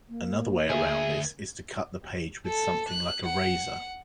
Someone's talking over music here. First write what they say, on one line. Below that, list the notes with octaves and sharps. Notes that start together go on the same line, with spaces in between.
Another way around this is to cut the page with something like a razor.
A#3
D2 G#4 E5
A4
F#6
F#5